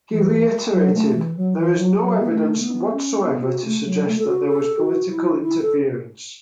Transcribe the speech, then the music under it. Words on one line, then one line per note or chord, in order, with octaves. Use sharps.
He reiterated: There is no evidence whatsoever to suggest that there was political interference.
E3
F#3
A3
E3
F#3
E3
F#3
F#3
B3
A3
B3
C#4
B3
F#4
A3
F#3
A3
A4
F#4
A4
F#4
E4
E4
A4